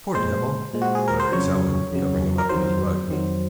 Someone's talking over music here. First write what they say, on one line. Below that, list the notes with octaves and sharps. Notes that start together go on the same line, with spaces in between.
"Poor devil!" muttered Sellen, covering him up with his rug.
A#2 G#3 C5
A#2 G#3
F#4
G#4
A#4
C5
F2 C#3 F#3 C#5
F2 C#3 F#3
A#4
F2 D#3 F#3 C5
F2 D#3 F#3